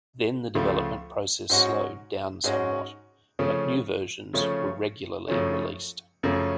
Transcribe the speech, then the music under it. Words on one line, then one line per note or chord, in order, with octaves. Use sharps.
Then the development process slowed down somewhat but new versions were regularly released.
C#2 C#3 F3 A3
G#2 G#3 C#4 F#4
G#2 G#3 C#4 F#4
C#3 F3 A3 C#4
C#3 F3 A3 C#4
F#2 C#3 F3 A3 C#4
F#2 C#3 F3 A3 C#4